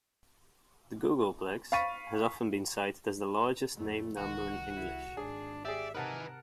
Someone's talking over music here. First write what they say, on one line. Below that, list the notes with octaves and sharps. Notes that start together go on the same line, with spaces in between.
The googolplex has often been cited as the largest named number in English.
F5 B5 C#6 A6 B6 D#7
F2 A3
C2 D#3 F#4
C2 E4
G#1 D4 G#4
G4 G#4 D5 E5
C3 D#4 A#4 B4 F#5 G#5 A5